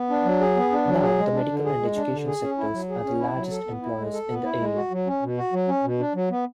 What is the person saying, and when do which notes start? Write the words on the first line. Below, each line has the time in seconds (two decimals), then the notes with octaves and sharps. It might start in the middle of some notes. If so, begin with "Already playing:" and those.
Now the medical and education sectors are the largest employers in the area.
Already playing: B3
0.10 D4
0.25 F#3
0.41 G#4
0.56 B3
0.72 D4
0.87 F#3
1.03 G#4
1.19 G#3
1.34 D4
1.50 D3
1.65 G#4
1.80 G#3
1.96 D4
2.11 D3
2.27 G#4
2.42 C#4
2.58 E4
2.74 F#3
2.89 G#4
3.05 C#4
3.20 E4
3.36 F#3
3.51 A4
3.67 B3
3.82 E4
3.98 G#3
4.13 A4
4.29 B3
4.44 E4
4.60 G#3
4.75 F#4
4.91 F#3
5.07 C#4
5.22 B2
5.37 F#4
5.53 F#3
5.68 C#4
5.84 B2
5.99 D4
6.15 F#3
6.30 B3